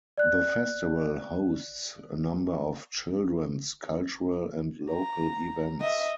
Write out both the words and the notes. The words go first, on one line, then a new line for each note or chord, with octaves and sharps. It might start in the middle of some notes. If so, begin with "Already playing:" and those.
The festival hosts a number of children's, cultural and local events.
D5 F#6
A#5
D#5 E5